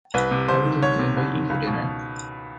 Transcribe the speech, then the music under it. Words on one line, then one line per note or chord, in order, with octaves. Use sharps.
I would like to invite you for dinner.
C2 B4
C3
C2 C5
D#3
C2 C#5
C3
C2
D#3
C#2
B2